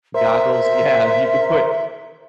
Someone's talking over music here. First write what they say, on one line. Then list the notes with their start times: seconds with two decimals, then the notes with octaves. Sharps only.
goggles Yeah you could put
0.14 A#4 C5 E5